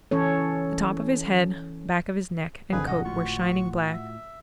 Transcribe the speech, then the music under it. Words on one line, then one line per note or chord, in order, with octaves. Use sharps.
The top of his head, back of his neck and coat were shining black.
E3 C#4 A4 C#5
G#1 D3 F3 G#4 B4
B2 C#4 D#5 F#5
A2 F4 F#4 C#6
E5